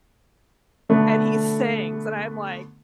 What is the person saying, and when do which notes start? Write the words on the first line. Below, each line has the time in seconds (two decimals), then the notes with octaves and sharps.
and he sings, and I'm like,
0.89 B2 D3 A3 B3